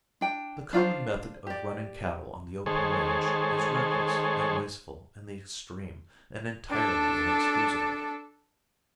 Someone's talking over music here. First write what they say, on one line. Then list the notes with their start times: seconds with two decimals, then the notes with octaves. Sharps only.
The common method of running cattle on the open range is reckless and wasteful in the extreme and entirely inexcusable.
0.21 D4 G5
0.73 D4 F4 C5
1.47 G4 D5
2.66 D#3 G#3 G#4 A4 C5 C#5
6.69 D4 A4